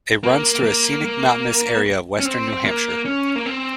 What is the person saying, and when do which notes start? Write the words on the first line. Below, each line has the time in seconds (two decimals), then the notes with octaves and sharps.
It runs through a scenic, mountainous area of western New Hampshire.
0.23 A#3
0.64 A#3
1.05 A#3
2.20 C#4
2.25 C4
2.65 A#3
3.05 C#4
3.36 A#3
3.46 C4